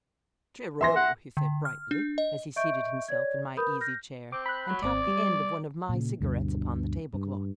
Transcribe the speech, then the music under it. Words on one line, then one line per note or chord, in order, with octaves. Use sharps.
"Cheero!" he said brightly as he seated himself in my easy-chair and tapped the end of one of my cigarettes upon the tablecloth.
E3 E5 C6 A#6
F#5
D3
F6
D4
D#5
D#5 E5 C#6 G6 D7
C#5 D5 G#6
A#4 B4 B5 D#6 G6
F6 G6 A#6
C4 D6
B5 F#6
F#3
G#1 C4 D5
G3
A#2 C#3
D2 G2 B2
G2